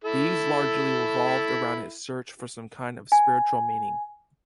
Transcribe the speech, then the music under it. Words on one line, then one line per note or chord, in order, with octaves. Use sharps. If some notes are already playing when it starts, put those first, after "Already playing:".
These largely revolved around his search for some kind of spiritual meaning.
E4 A4
G#5